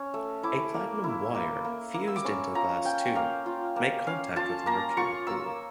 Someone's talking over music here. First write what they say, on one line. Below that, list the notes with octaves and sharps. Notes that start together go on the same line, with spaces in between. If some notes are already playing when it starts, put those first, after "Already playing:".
A platinum wire, fused into the glass tube, made contact with the mercury pool.
Already playing: C#4
A3
E4 D6
A#3
E4
A#3
A#3
A#3
E6
D6
C#4 C#6
F4 A#5
C#4 G5
A#3 F5
F4
A#3
C#4 F5
F4 A5
A#3 A#5
F4 C#6
A#3 E6